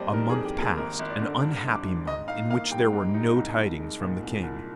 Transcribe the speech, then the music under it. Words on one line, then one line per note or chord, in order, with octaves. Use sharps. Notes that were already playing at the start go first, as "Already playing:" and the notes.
A month passed, an unhappy month in which there were no tidings from the King.
Already playing: F2 G3 A#3 C5 D5 D#5
D#3 A#4
G#4
F2
G4
A#3 G#4
G#1 A#4
G#1
D5
D3
G2
G#1
D6
G#1
G#2 D#5
D#4 F5
A#3 F5
G3 G5
G#2
D#4
C2
C2
G#3
A#2
C2
C2